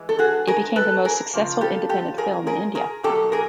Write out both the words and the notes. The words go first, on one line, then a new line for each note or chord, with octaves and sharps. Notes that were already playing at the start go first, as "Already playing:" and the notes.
It became the most successful independent film in India.
Already playing: E3 G#3
A4
F#4 G#4
G#4 A#4
A4 B4
G#4 A#4
C#3 F3 A#3
G4 A4
G4 A4
G#4 A#4
G#4 A#4
G#4 A#4
B2 F#3 A#3 G4 A4
G#4 A#4